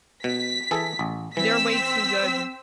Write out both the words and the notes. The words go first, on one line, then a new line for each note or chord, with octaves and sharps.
They're way too good.
B2 B6
E3 G#4 A4
A1
E3 C4 E6 B6